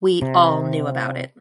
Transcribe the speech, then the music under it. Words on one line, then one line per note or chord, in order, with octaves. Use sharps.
We all knew about it.
C3